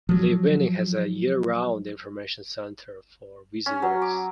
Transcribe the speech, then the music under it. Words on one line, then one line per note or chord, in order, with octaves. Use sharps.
Lee Vining has a year-round Information Center for visitors.
F3 F#3
C#4
F#3
D6